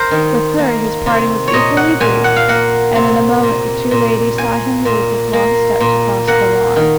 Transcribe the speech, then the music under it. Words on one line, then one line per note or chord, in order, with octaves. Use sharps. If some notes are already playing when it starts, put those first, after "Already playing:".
With her his parting was equally brief; and in a moment the two ladies saw him move with long steps across the lawn.
Already playing: A#4 C5
D#3
A#3
C3
C#5
A#2 D#5
F#5
A#2 G#5
F#5
F5
A#3 F#5
C3
A#2
A#2
A#3 G#5
A#2
A#3
A#2
A#3 F#5
D#3